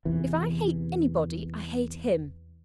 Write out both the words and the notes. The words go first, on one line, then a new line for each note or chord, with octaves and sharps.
If I hate anybody, I hate him.
E2 C3 E3